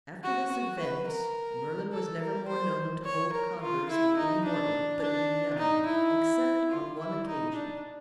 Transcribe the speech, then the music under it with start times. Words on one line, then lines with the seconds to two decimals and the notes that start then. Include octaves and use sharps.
After this event Merlin was never more known to hold converse with any mortal but Viviane, except on one occasion.
0.24 F#4
0.51 F#4
0.80 B4
1.08 A#4
1.92 A4
2.21 A#4
2.48 C5
3.05 C#5
3.33 A#4
3.62 F4
3.89 E4
4.17 D#4
4.45 D4
5.01 D4
5.58 D#4
5.86 E4
6.71 F4
6.99 E4
7.27 D#4
7.55 D4